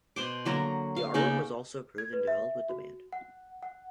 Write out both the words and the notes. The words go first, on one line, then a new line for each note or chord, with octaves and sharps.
The artwork was also approved and developed with the band.
B2 C5 D6
D3 F#3 A#3 A#5
F5
C#3 A#3 B3 D#4
G#6
B4
E5
F#4
F#5
F#5